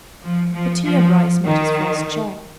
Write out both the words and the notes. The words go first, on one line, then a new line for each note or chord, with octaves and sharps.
But here Bryce met his first check.
F3
F3
F3
D#3